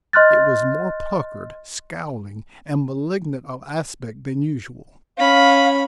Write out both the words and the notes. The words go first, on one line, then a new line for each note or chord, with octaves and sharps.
It was more puckered, scowling and malignant of aspect than usual.
D#5 C6 F6 F#6 A6
C#4 F5 B5